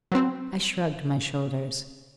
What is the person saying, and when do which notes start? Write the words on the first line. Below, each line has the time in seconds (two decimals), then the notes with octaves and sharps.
I shrugged my shoulders.
0.12 F#3 B3 C4